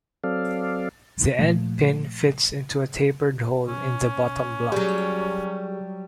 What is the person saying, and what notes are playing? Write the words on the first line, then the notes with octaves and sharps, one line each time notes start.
The endpin fits into a tapered hole in the bottom block.
F#3 C4 A4 D5 F5
A#2 F3 A3
B2 C#4
F#3 G3 G4 G#4